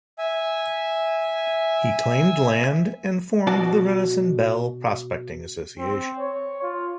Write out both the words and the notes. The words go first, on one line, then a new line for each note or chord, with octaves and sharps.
He claimed land and formed the Renison Bell Prospecting Association.
E5 G#5
B2 F#4 D5 A5
C4
C#5
F4